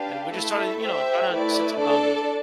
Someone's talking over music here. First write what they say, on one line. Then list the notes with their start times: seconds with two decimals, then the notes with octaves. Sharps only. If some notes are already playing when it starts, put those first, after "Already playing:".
And we're just starting, you know, trying to set some boundaries.
Already playing: D4 G4 B4 F5 A5
0.33 A3 E4 A4 E5 A5
0.82 G4 C5 E5 G5
1.30 A3 E4 B4 D5
1.78 D4 A4 D5 A5